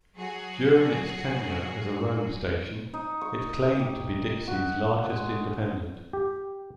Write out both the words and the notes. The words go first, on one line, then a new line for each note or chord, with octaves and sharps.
During its tenure as a Rome station, it claimed to be Dixie's Largest Independent.
F#3 F#4 G#4
D#4
C#6
G4
F#4
G#3
G4